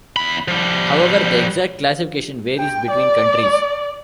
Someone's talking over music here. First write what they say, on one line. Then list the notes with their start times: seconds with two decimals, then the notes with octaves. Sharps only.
However, the exact classification varies between countries.
0.16 E2 B5
0.48 F3 G3
2.58 G5
2.91 D5